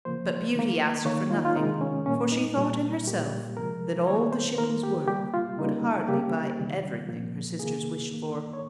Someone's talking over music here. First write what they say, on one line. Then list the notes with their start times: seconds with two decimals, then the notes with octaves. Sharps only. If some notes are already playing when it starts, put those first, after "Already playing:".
But Beauty asked for nothing; for she thought in herself that all the ship was worth would hardly buy everything her sisters wished for.
0.05 C#3 F3 A#3 C5
0.56 D#3 A#3
1.05 D#3 A#3 C#5
1.31 F4
1.38 D#4
1.45 F4
1.56 C3 D#3 G#3 D#4
1.81 C#4
2.06 A#2 G3 A#3 C#4
2.32 D#4
2.57 A#2 G3 A#3
3.07 A#2 G3 A#3 G4
3.57 C3 F3 G#3 A#4
4.07 D#3 G3 A#3 C#5
4.32 C5
4.58 D#3 A#3 A#4
4.83 G4
5.07 C#3 G3 A#3 G4
5.34 F4
5.58 C#3 G3 A#3 D#4
6.08 C#3 G3 A#3 G4
6.59 C3 D#3 G3
7.09 A#2 F3 A#3
7.59 C3 D#3 A#3 G#4
8.09 D#3 A#3
8.53 C#5